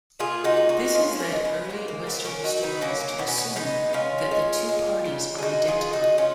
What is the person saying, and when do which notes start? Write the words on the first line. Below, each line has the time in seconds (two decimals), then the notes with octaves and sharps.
This has led early Western historians to assume that the two parties are identical.
0.19 A#2 F4 G#4
0.44 D#4 F#4
0.57 G#3
0.69 D#4 F#4
0.94 G#3 C#4 F4
1.19 A#3 C#4
1.32 G#3
1.45 B3
1.69 A#2 A#3
1.88 A#3
2.07 F#3 B3
2.25 A#3 C#4
2.44 F#3 D#4 F#4
2.63 B3 D#4
2.81 F#3 A#3 C#4
3.00 A#3
3.18 B2 B3
3.28 C#4
3.38 B3
3.56 G#3 B3 D#4
3.93 G#3 C#4 F4
4.31 G#3
4.69 G#3
5.05 C#3
5.38 G#4
5.43 G#3 D#4 F#4
5.68 F4 G#4
5.81 G#3
5.93 D#4 F#4
6.18 G#3 C#4 F4